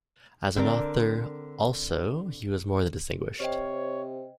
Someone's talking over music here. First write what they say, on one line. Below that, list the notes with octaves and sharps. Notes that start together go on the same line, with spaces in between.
As an author also he was more than distinguished.
D3 C4 A#4 D5
C3 C5 C#5 D#5 G5